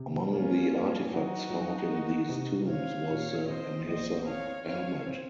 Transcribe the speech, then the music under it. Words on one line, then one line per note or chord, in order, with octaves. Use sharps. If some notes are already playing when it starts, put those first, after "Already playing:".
Among the artifacts found in these tombs was the Emesa helmet.
Already playing: C3
A#3 C#4 F4
A#3
F#3 D#4 F#4
F#3
A#3
C3
C4 C#5 F5
A#2
C4 C5 D#5
A#1 C5 D#5
C4 C#5 F5
C4 C#5 F5
C4